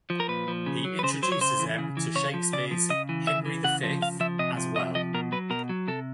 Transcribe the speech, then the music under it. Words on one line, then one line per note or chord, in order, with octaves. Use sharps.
He introduces them to Shakespeare's "Henry the Fifth" as well.
F3
A#4
A#2 B4
F3
C#3
F#3
B4
C#3 C5
F#3 C5
C#5
C#3 C5
E3
C#3
E3
C#3 C#5
F3
C#3 D5
F3
C#3 D#5
E3
C#3 E5
E3
C#3 F#5
F3
C#3 F5
F3 E5
C3 D#5
F3
C3 D#5
F3 D#5
B2 A#4
F#3 B4
B2 A#4
F#3
C3 A4